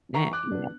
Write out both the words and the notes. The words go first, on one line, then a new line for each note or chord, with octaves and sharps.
na you know."
E3 A#5 C#6
D6 F#6
B3 D4